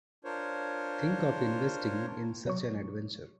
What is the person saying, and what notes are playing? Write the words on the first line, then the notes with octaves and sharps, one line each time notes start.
Think of investing in such an adventure.
D4 F4 A#4 C5 C#5
B2 F#3 C#6